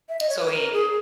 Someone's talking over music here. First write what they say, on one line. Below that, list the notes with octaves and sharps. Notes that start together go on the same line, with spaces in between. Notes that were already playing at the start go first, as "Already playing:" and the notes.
So he
E5
D#5
C#5
B4
B4
A#4
G#4